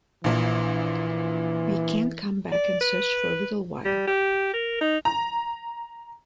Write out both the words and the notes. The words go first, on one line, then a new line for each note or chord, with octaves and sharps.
We can't come back and search for a little while.
A#1 A#2 E3
D5
B4
G3
G4
A#4
D#4
A#5